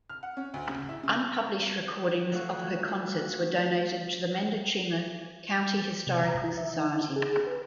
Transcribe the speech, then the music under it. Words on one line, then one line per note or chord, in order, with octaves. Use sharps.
Unpublished recordings of her concerts were donated to the Mendocino County Historical Society.
F6
F#5
C#4
D2
C#3
E4
C#3
F#3 A3 F4 F#4
C3
A#5
E4
E5
D#4
G#4
B4